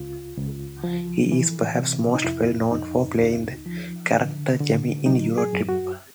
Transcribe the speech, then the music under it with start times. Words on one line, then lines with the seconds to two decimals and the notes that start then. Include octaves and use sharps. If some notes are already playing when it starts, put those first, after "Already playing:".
He is perhaps most well known for playing the character Jamie in "EuroTrip".
Already playing: C#2 F4
0.37 C#2
0.84 F3
1.32 E3
1.78 C3
2.14 D#4
2.24 F2 E4
2.72 F2 D#4
3.19 D2
3.66 F3
4.13 D3
4.60 D3
5.06 F#3 D#4
5.38 G#4
5.53 F#2
5.69 F#4